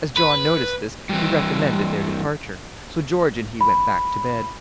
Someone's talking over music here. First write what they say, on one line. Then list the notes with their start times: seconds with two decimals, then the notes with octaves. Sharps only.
As John noticed this he recommended their departure; so George and he went back to bed.
0.17 B4
1.10 G2 E3
3.61 B5